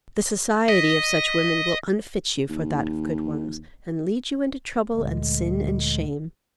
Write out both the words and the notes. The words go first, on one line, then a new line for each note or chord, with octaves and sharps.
The society of such women will unfit you for that of good ones, and lead you into trouble and sin and shame.
D#5 A#6 B6
D#2
D2 A#2 D3 G#3